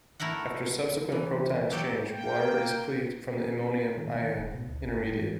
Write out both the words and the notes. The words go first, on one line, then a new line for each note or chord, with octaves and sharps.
After subsequent proton exchange, water is cleaved from the iminium ion intermediate.
A3 E4 A#4 E5 F#5
E3
F#3 G4 A4
A#3 G5
D#3
B2
D#3
D#1
B2
D2
G1
G2
E3